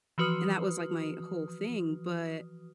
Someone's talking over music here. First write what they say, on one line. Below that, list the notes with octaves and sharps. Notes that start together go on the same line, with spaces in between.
and that was, like, my whole thing. But
E3 F3 F#4 B4 D#6 F6